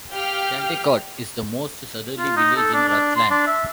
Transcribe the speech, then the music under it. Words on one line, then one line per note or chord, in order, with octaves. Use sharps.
Caldecott is the most southerly village in Rutland.
G4 F5 G5 F6
F4
D#4
A4
D4
D4
C6
D4
E5